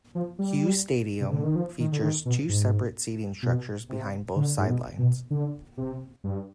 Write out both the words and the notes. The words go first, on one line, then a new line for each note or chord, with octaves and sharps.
Hughes Stadium features two separate seating structures behind both sidelines.
F3
G3
C3
D3
D#3
F3
D#3
D3
D#3
B2
G#2
B2
C3
D3
G#2
B2
B2
D3
C3
G2